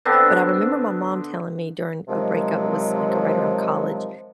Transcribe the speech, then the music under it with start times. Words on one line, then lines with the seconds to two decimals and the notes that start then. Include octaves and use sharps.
but I remember my mom telling me during a breakup, it was, like, right around college,
0.05 D3 B3 C4 D4
2.08 C3 D#3 F3 F#3 G#3